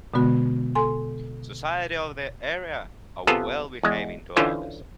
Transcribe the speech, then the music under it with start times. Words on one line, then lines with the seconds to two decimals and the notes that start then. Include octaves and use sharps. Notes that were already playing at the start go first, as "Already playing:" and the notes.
Society of the area are well behaving to others.
0.14 B2 D3 G#3 B3 F#4
0.75 A4 G#5 C6
3.27 C3 B3 F4 G#4 A4 A#5
3.83 E2 G#3
4.36 D3 E3 C#4 E4 F4 C5